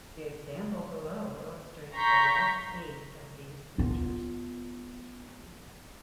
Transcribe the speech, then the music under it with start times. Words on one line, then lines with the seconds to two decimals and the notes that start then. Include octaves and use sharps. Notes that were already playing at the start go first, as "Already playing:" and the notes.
The example below illustrates the last eight of these features.
1.95 A#5 C6 C#6 G6 B6
3.78 B3 F4